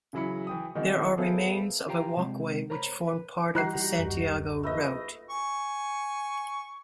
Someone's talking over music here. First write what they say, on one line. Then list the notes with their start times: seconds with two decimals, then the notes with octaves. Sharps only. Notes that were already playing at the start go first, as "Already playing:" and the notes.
There are remains of a walkway which formed part of the Santiago Route.
0.13 C#3 E3 F#3 E4 B5 C#7
0.47 E3 G5 D#6
0.75 D#3 E3 G#3 C4 D#4 F#4
1.18 B3 G#4 A4 C5 E5 F5
1.88 F4 G4 F5 G5 A#5
2.16 C3 G#3 C4
2.70 A#4 C5 C#5 A#5 B5
3.08 B4
3.55 E3 G3 D#4 E4 F#4 F#6 C7
3.99 D1 F#2
4.63 A#1 A3 B4 D#5
5.30 G#5 C#6